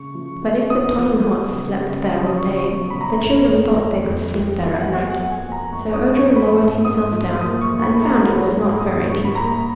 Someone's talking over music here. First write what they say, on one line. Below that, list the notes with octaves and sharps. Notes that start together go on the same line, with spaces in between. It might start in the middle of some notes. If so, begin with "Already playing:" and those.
But if the Tottenhots slept there all day the children thought they could sleep there at night, so Ojo lowered himself down and found it was not very deep.
Already playing: C#3 C#6
F3
B3
B3 D#6
F3
B3
C#3
C#3
F3
D#6
C#3 C#6
C#6
B3
C#3 B5
A#5
F2
F2
F2
F2
F3
F3
F#5
B3 G#5
F#5
F2
G#5
F3
A#5
F2 C#6
D#6
F2
C#6
F3
B5
G#2
G#2 D#6
F3
A#3 D#6
C#6
A#3
B5
A#3
A#5
A#3 F#5
G#2
A#3 D#6
G#2 C#6
B5
A#3 A#5